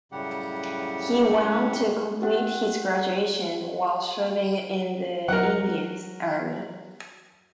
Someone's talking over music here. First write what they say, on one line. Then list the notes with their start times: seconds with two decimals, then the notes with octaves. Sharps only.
He went on to complete his graduation while serving in the Indian Army.
0.12 F#2 A2 C#3 G3 G4 F#5
2.22 G4 F#5
5.28 F#3 A#4 F#5